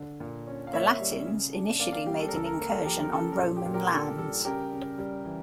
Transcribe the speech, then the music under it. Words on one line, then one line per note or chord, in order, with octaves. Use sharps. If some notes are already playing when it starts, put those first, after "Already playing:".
The Latins initially made an incursion on Roman lands.
Already playing: D3
A#2
C#4
F5
A#3 C#5 E5
G3
C#3
D4
A#3 D5 F5
D5 F5
G3 G4
A4
A#4
C#2 A4
A#4
A4
A#3 A#4
A4
F3 G4 A#4
A#4
C#3 A4
A#4
A#2 A4
G4
A#2
G4 A#4
D4 A4
G3 A4
C#3 G4 A#4
C#3
G3
E3